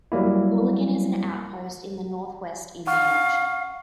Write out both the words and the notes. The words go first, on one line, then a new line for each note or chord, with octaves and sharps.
Uligan is an outpost in the northwest Indian Ocean.
F#3 G3 A#3 E4
F5 F#5 C#6 F6